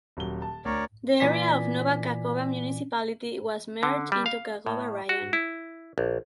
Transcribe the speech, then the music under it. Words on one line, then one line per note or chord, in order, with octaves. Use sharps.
The area of Nova Kakhovka Municipality was merged into Kakhovka Raion.
D#1 F#3 G7
A5
D2 A#4 C#5 D5
A#2 E3 D5 G#5 B6
D3
G3
F5
A2
F#4
E4
A#1